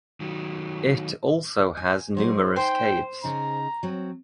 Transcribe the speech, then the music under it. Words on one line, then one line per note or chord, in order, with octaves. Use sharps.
It also has numerous caves.
D#3 F#3
G#5
F#3 D#4 G#4 C5
D#4 C5 G5 G#5
C#3 D#4 G#4 A#5
F#3 C4